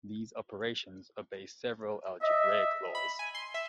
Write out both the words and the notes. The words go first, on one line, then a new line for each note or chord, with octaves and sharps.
These operations obey several algebraic laws.
D#5 E5
B5
G#5
C6
E5